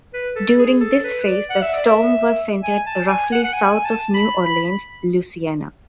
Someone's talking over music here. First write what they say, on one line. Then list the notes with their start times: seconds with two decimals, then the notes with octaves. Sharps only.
During this phase the storm was centered roughly south of New Orleans, Louisiana.
0.13 B4
0.36 A4
0.58 G#4
0.81 A4
1.04 B4
1.27 D5
1.50 F#5
1.62 E5
1.74 D5
1.85 E5
2.64 G#5
2.87 A5
3.08 G#5
3.32 F#5
3.44 F#5
3.54 G#5
3.72 G#5
3.85 A5
4.14 B5
4.45 B5